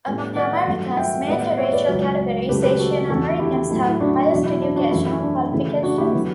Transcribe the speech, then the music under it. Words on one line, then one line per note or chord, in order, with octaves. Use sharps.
Among America's major racial categories, Asian Americans have the highest educational qualifications.
A2 G3 B3
D5 F#5
G2 F#3 A3
F#5
E5 G5
A2 G3 B3 D5 F#5
C#5 E5
B4 D5
C#2 C#3 F#3
C#2 C#3 F#3 A3 G4 B4
G4 B4
F#4 A4
E2 D3 A3 F#4 A4
E4 G4
A2 F#3 A3 E4
E4
D4 F#4
E2 B2 F#3 D4 F#4
E4
D4
D4 F#4
F#2 E3 A3 E4
E4
D4
D2 C#3 E3 A3 E4
D4 F#4
E4 G4
D3 F#3 B3 E4 G4